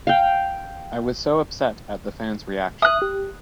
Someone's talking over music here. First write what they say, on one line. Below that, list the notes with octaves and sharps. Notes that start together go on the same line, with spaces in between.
I was so upset at the fans' reaction.
F5 G5
E5 D#6 F#6
G4